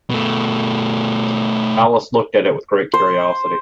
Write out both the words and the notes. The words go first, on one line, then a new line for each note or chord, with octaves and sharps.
Alice looked at it with great curiosity.
B2 A3
C5